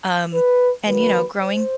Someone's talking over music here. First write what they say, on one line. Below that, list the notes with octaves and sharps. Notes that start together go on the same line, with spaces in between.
Um, and, you know, growing
B4
D#3 F#3 A#3 B4
C5